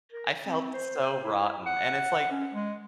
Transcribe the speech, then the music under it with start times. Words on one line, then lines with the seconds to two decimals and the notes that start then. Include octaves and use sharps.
I felt so rotten. And it's like,
0.12 A#4
0.45 C4
0.74 C5
1.24 E4
1.66 F#5
2.31 C#4
2.53 G#3